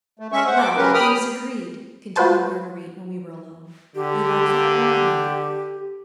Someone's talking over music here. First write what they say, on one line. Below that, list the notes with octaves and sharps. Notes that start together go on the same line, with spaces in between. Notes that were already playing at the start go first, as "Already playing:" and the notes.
"Well, it is agreed," continued Marguerite, when we were alone, "you won't fall in love with me?"
A3
G#3 C#4 E5 C#6
C5 F#5
D6
C#3 F#3 C#4 G4 A#4 B4
G5 B5 D#6 F6
F4 F#4 B4 C5 A5
D3 G4